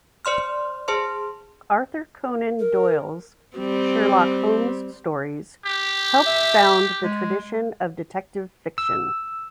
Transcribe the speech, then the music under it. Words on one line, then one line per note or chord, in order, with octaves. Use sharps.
Arthur Conan Doyle's "Sherlock Holmes" stories helped found the tradition of detective fiction.
C5 D5 C6 F6
G#4 C5 A5 C6
A#4
G3 C4
G4
E5
G#3
E6